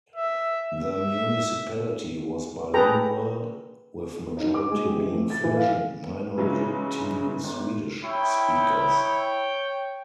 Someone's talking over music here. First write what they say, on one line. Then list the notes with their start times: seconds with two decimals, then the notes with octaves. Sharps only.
The municipality was bilingual, with majority being Finnish and minority Swedish speakers.
0.16 E5
0.78 E5
2.74 G#4 A4 B4 G5 A#5
4.37 D#4
4.54 D6
4.71 G#3
4.85 G4
4.96 E3
5.12 A3
5.30 A6
5.44 E3
5.57 F5
6.38 C#3 E3 F#3 G#3
7.44 G1
8.04 E4 C#5 G5